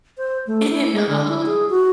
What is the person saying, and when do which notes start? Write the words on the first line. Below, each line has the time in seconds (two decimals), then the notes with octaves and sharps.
And, um
0.18 C5
0.47 A3
0.70 E4
0.93 G#3
1.09 D3
1.28 E4
1.46 G#4
1.70 F#4